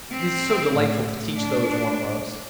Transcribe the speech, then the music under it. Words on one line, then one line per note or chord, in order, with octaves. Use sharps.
It is so delightful to teach those one loves!
C4
A2
D4